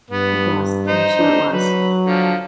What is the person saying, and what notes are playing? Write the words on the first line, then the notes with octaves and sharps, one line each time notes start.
Yes, I'm sure it was.
G2 B3
D#4 C5
D4
F#3 B4
D3 F3